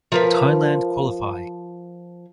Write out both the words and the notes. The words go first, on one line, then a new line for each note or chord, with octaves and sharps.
Thailand qualify.
F3 A#4 B4